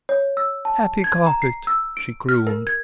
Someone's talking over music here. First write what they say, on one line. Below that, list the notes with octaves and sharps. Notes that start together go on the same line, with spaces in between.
"Happy carpet!" she crooned.
C#5
E6
A5
G#6
A#5
C7
E6
D7
F6
A#4
G#6